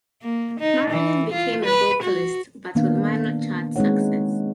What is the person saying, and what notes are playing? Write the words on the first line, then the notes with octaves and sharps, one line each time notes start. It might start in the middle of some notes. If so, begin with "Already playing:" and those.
Marilyn became a vocalist, but with minor chart success.
A#3
D#4
E3
F4
B4
F#4
D#3 A#3 B3 D4 F5
G#3 C4 D#4 B4 C#5 F#5